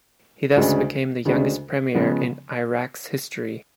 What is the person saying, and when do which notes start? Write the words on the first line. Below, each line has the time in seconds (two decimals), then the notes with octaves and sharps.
He thus became the youngest premier in Iraq's history.
0.56 D2 C#3 G#3 D4
1.25 D2 C#3 G#3 D4
1.95 C#3 F3 G#3 B3